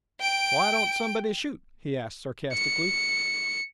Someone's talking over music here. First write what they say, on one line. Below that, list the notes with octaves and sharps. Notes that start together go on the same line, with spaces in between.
"Why don't somebody shoot?" he asked sarcastically.
G5 D7
C#7